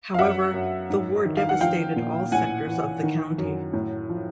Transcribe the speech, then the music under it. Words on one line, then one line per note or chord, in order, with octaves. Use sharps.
However, the war devastated all sectors of the county.
F5
F#2 E5 F#5
F#2
G#2
D#3
F5
F#5
F3 F5 G5
A#2
A2 F#5 G#5
E3
D#3
F#2
A2
F3